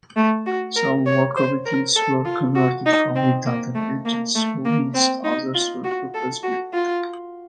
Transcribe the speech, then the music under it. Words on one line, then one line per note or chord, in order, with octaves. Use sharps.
Some locomotives were converted from redundant engines, whilst others were purpose built.
A3
F#4
A#4
C#5
C5
A#4
A4
F4
F#4
D#4
C4
A#3
A3
A#3
A3
A#3
C4
D#4
F4
F#4
A4
F#4
F4